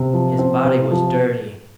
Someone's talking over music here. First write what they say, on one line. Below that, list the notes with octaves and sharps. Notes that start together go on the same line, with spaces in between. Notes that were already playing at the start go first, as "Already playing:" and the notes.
His body was dirty.
Already playing: C3
F3
C4
C3
F3